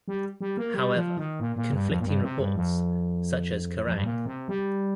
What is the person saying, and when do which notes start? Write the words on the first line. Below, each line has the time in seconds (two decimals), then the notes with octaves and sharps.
However, conflicting reports, such as Kerrang!
0.08 G3
0.41 G3
0.57 A#3
0.74 G3
0.96 F3
1.17 D#3
1.40 A#2
1.56 A#2
1.73 G2
1.89 F2
2.00 A#2
2.05 G2
2.23 C3
2.39 G2
2.56 F2
3.85 F2
3.95 G2
4.04 A#2
4.26 C3
4.48 G3